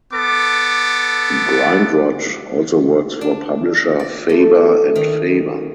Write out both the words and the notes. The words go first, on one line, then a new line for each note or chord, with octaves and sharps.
Grindrod also works for publisher Faber and Faber.
B3 A4 D6
D4
D5
A3
D#3